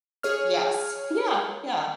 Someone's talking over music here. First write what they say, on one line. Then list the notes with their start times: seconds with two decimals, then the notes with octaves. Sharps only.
Y yes, yeah, yeah.
0.23 G#4 C#5 F6